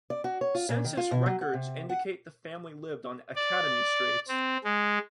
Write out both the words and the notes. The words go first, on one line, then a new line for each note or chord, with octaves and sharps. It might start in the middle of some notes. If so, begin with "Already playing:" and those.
Census records indicate the family lived on Academy Street.
D5
F#4
C#5
F4
A#2
D#3
F4
B2
F#3
F#5
C3
F#5
D5
C4
G#3